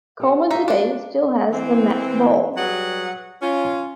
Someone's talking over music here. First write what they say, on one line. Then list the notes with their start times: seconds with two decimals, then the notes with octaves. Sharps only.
Coleman today still has the match ball.
0.20 G4 A4 F#5
0.50 D#4 F#4 A4 E5 F5
0.68 D4
1.52 E3 C4
2.56 F#3 G3 G#4 B4 F#5
3.42 C#4 F4